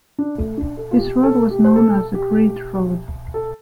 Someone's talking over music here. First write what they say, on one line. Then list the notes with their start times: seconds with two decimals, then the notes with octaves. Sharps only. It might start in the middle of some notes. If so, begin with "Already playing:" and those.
This road was known as "the Great Road".
0.18 D4
0.38 A3
0.57 D4
0.77 A4
0.91 F4
0.97 G4
1.23 A4
1.50 G4
1.64 C5
1.76 A4
2.15 G4
3.34 A4